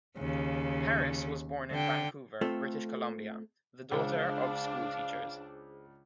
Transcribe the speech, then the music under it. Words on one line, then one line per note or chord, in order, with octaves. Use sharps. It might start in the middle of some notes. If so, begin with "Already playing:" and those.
Harris was born in Vancouver, British Columbia, the daughter of schoolteachers.
D#2 C#3
D3 G5
A3 C4 F4 A4
C#2 D4 G#4 C5 F5